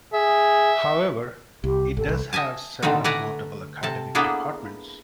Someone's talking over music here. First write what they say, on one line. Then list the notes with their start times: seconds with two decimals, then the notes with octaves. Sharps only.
However, it does have several notable academic departments.
0.14 G#4 E5
1.64 C2 G4
1.97 G#1 A4
2.09 C2
2.33 D#5 E5 G#5 A5
2.82 B2 D3 D#3 A3 C4 A4
3.04 A3 B4 D5 F#5 G#5 A#5
3.83 C3 A4 A5
4.15 A#3 B3 D4 E4 G#4 A4